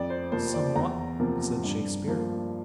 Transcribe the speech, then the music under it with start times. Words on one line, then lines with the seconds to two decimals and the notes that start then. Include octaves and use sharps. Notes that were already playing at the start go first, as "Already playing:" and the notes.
"Somewhat," said Shakespeare.
Already playing: F2 D5
0.10 C5
0.32 C3 F3 A#3 C5
0.54 D5
0.76 E2 A#5
1.20 C3 F3 A#3
1.63 G2
2.08 F3 A#3